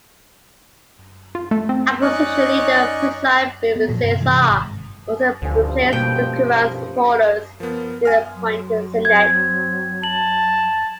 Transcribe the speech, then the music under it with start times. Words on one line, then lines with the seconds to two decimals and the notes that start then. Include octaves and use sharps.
Opposition Leader Persad-Bissessar also replaced Dookeran's supporters in the appointed Senate.
1.35 F4
1.51 A3
1.69 C4
2.02 C#4 D#4 D5 D#5 C#6 F#6
3.76 B3
3.88 A#2 F3 F#3
4.03 G2 C3
4.20 C3 E3 G#3
4.50 G#1
5.42 A1 D2 G2 D3 F3 G#5
5.93 B2 G3 A#3 G4 G5
7.60 F3 B3 A#4
8.05 F#5 G#5 F6
8.34 F#3
9.05 C4 G#6
10.03 A5 F#7